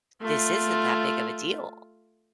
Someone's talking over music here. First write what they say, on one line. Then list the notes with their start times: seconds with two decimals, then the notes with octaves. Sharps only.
This isn't that big of a deal,"
0.21 A3 F4